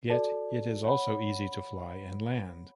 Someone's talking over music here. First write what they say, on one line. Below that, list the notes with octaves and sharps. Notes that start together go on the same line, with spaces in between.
Yet it is also easy to fly and land.
F#4 A4 D5 A5
C#5 F#5 B5